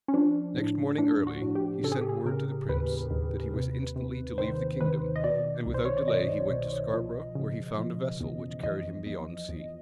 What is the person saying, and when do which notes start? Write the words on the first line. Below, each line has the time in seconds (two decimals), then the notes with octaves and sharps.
Next morning early, he sent word to the prince, that he was instantly to leave the kingdom; and without delay, he went to Scarborough, where he found a vessel, which carried him beyond sea.
0.08 C#4
0.14 F3 D4
0.57 A2
0.98 A2 D4
1.27 F#4
1.42 A2
1.55 G4
1.83 C#3 A4
1.92 G#4
2.01 G4
2.09 G#4
2.26 C#3 A#4
2.69 D#2 B4
3.11 D#2
3.54 C3
3.96 C3
4.38 D#3 C5
4.81 D#3 B4
5.16 D#5
5.24 B2 D5
5.67 C2
5.74 C5
5.85 C#5
5.97 D5
6.08 B2 D#5
6.50 B2
6.94 F3
7.35 C#3
7.78 F3
8.21 E2
8.63 E2 D#5
9.06 E2
9.49 E2